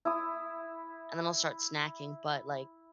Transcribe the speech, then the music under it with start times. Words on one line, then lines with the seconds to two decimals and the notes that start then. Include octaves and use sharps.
and then I'll start snacking, but, like,
0.05 E4 D#6